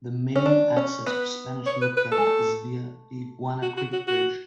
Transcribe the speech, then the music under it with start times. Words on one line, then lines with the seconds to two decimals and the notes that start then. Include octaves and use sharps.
The main access to Spanish Lookout is via the Iguana Creek Bridge.
0.36 C#4
0.46 D4
0.77 C#4
1.06 B3 B4
1.66 C#5
1.81 B4
1.97 B4
2.12 A4
2.18 G#3
2.27 A3
3.62 F#4
3.77 F#4
3.93 F#4
4.07 F#4